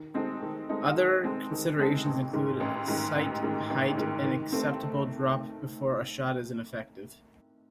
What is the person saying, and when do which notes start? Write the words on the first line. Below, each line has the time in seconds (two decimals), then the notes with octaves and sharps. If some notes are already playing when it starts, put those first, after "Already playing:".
Other considerations include sight height and acceptable drop before a shot is ineffective.
Already playing: D#3
0.14 G#3 C4 D#4 A4
0.42 D#3
0.69 G#3 C4 D#4 A4
0.97 D#3
1.24 G#3 C4 D#4 A4
1.52 D#3
1.79 G#3 C4 D#4 A4
2.05 A1
2.33 G#2 D#3
2.60 A1
2.88 G#2 D#3
3.16 A1
3.43 G#2 D#3
3.70 A1
3.97 G#2 D#3
4.24 D#3
4.52 A3 C4